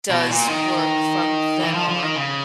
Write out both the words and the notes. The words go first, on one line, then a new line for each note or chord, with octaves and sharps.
does work from then on
B2
A#2
D#3
E3
F3
F3
D#3
C#3